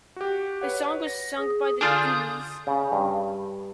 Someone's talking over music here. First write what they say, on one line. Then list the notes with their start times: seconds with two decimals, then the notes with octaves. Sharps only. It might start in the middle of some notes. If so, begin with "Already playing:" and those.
The song was sung by The Dooleys.
0.16 F#4 G4
0.61 B4 C#5 F#5
1.07 A#6
1.37 G#4
1.81 D3 D4 F4 G#5 C6 D#6 G6 A6
2.67 C#3
2.92 G2